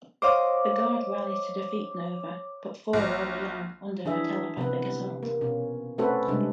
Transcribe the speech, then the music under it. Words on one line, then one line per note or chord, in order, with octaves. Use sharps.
The Guard rallies to defeat Nova but fall early on under her telepathic assault.
C5 C#5 D#5 F5 D6
A#1
E3 D4 G#4 E5
C3 B3 B4
A#3
B2 C#4
A3 C4 C#4 F#4 A4 B4
C3 G3 G#3 D4